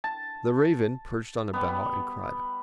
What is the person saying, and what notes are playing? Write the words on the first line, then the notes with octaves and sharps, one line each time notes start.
The raven perched on a bough and cried.
A5
G3 B3